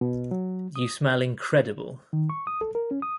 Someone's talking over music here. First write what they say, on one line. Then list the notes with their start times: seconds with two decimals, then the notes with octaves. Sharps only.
You smell incredible.
0.01 B2
0.31 F#3
0.76 D#6
2.13 D#3
2.30 C#6
2.47 D#6
2.61 A4
2.75 A#4
2.91 C#4
3.02 D#6